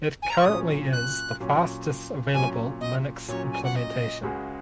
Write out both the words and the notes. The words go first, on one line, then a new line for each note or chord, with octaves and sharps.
It currently is the fastest available Linux implementation.
G#5
A#5
C#6
A#2 F#3 C#4 D#6
F#6
A#2 F#3 C#4
A#2 F#3 C#4 G#5
D#5
A#2 F#3 C#4 C#5
G#5
F#5
D#5
C#2 C#3 G#3 F#4